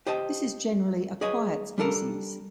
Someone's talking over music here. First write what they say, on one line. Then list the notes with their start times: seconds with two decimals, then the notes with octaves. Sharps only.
This is generally a quiet species.
0.07 G4 C5 D#5 A5
1.21 G#4 B4 C#5 D#5 G#5
1.78 G3 D4 A4 A#4